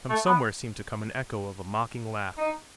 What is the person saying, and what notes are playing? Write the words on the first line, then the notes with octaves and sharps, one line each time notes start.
From somewhere seemed to come an echo of a mocking laugh.
A3
B3
D#4